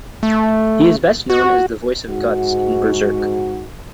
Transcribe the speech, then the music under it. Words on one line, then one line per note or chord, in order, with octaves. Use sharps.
He is best known as the voice of Guts in "Berserk".
A3
F#4
G#2 F#4